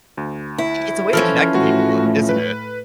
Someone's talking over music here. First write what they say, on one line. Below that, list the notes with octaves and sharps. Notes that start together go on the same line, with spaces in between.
i it's a way to connect to people, isn't it?
D2
E4
E3 F3 C#4 A4 F6
A2 A3 F#4
B4